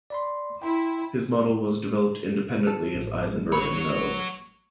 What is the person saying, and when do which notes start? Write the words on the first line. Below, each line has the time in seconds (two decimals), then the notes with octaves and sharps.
His model was developed independently of Eisenberg and Noe's.
0.10 D5 B5 C6
0.62 E4 G5 C6
2.67 A4
2.95 A1
3.52 F#3 C#5 B5